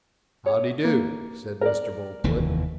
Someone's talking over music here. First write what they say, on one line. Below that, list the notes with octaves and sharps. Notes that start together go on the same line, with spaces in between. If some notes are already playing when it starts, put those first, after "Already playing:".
"How dee do," said Mr. Boltwood.
C#5
A#3
A#4 D5
F1 D#2 E3